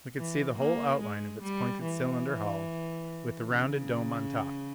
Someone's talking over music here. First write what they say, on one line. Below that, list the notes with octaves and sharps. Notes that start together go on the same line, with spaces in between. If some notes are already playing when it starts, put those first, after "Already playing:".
We could see the whole outline of its pointed cylinder hull, with the rounded dome on top.
E3
A#3
G#3
G3
E3
C#3